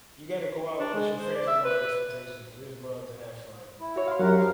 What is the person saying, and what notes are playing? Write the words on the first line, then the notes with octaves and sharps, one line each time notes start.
You gotta go out with your friends with no expectations, we just go out to have fun.
D4
G#3
C5
D5
E5
B4
E4
F#4 C#5
F5 C6
F#2 F#3 D4 G4 A#4 F#5
F3 A#4 F5